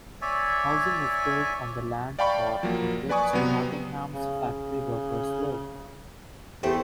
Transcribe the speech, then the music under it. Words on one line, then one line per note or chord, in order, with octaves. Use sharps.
Housing was built on the land for in which Nottingham's factory workers lived.
C#5 D5 E5 G#5
D5 F5 G5 A5 B5 C#6
F3 F#3 A#3
B4 D5 G#5 C#6 D#6
C3 F#3 B3
C#3
E2 A3 G4 C5